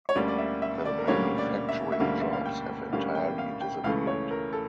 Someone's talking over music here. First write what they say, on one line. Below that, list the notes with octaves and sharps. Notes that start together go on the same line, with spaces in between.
The manufacturing jobs have entirely disappeared.
C#5
D2 D3 G3 A#3 C#4 D5
D5
E5
E5
D5
A#4
D2 D3 G3 A#3 C#4 C#5
D5
E5
E5
D2 D3 G3 A#3 C#4 F5
E5
F5
G5
D2 D3 G3 A#3 C#4 F5
G5
F5
G5
C#2 C#3 E3 A3 C#4 F5
C#5
A#4
A4